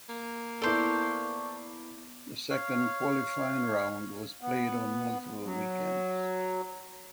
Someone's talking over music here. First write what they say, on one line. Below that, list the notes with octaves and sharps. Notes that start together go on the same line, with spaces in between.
The second qualifying round was played on multiple weekends.
A#3
B3 E4 A4 C5 D5 C#6 D6
C#5 F5
B3
F#3